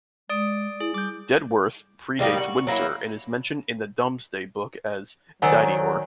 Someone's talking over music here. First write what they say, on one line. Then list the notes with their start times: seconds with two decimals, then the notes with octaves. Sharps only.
Dedworth predates Windsor and is mentioned in the Domesday Book as "Dideorde".
0.30 G#3 D5 D#6 D7
0.80 E4 G#4
0.94 G3 D6 G6
2.19 D#3 G3 A#3 D#4
2.38 F#4
2.67 F#3 A#3 E4
5.42 D#3 F#3 A#4 C5 D5 F#5 G#5 A#5